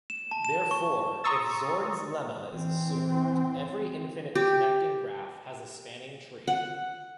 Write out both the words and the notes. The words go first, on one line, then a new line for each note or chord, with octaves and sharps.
Therefore, if Zorn's lemma is assumed, every infinite connected graph has a spanning tree.
E7
A5
E7
C#6
A#5 C6 C#6 D#6 E6 A6
E3 C4
G4
F#5